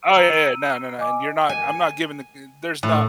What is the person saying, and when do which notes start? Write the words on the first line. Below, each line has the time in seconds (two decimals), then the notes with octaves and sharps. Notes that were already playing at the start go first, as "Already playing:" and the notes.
Oh, yeah, yeah. No, no, no, and you're not I'm not giving the uh, there's no
0.16 A#5 E6 D#7
0.98 D#5 G#5 D6
1.49 G#5
2.83 A2